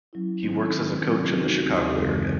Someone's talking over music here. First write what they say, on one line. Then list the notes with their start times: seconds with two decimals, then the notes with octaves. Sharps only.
He works as a coach in the Chicago area.
0.13 F#3 C#4 E4
0.43 D#3 F#3 A3 C4 D#4
0.73 D#3 G#3 C#4
1.03 C3 F#3 A3 C4
1.33 F#3 C4 D#4 F#4 A4
1.63 D#2 C#3 F#3 C4
1.93 F#2 C#3 E3 G#3 C4
2.23 C#3 G#3